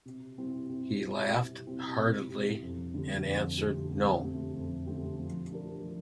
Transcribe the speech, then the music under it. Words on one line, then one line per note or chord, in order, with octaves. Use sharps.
He laughed heartily and answered, "No."
C3
G3 C4 E4
C3
G3 C4 E4
C3
G3 C4 E4
C3
G3 C4 E4
F2
D3 A3 C4 G4
F2
D3 A3 C4 G4
F2
D3 A3 C4 G4
F2
D3 A3 C4 G4
F3
A3 D4 G4 A#4
F3